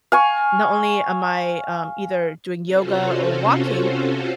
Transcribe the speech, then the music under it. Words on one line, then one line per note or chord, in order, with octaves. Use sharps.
not only am I, um, either doing yoga, or walking
F5 G#5 C#6
C3 C#4 F4 F#4 A4 C5